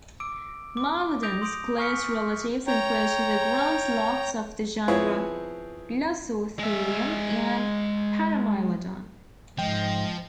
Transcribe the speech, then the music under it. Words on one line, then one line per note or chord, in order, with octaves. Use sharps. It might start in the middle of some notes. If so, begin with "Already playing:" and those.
"Mylodon"'s close relatives include the ground sloths of the genera "Glossotherium" and "Paramylodon".
D6 E6 D7
D6
D#6 G6 A#6 D7 F7
C6 D#6 G6 D7
G#5 C#6 F6 B6 C#7
C#5 G5 A#5
F3 B3 C4 E4 G#4 C#5
G#3 E5
G#2 F3 D#5 G5